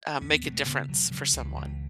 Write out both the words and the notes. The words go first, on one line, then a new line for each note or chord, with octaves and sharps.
uh, make a difference for someone?
E2 C#4
B3
E1 B3
A3
C#3 B3
E1 F#3
C#3 F#3
C#2 E3
C#2